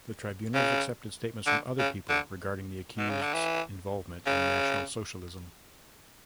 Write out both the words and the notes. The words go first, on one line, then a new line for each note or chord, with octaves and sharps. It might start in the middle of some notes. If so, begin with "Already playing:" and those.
The tribunals accepted statements from other people regarding the accused's involvement in National Socialism.
C#3
D3
C#3
D3
B2
C#3
D3
E3
C#3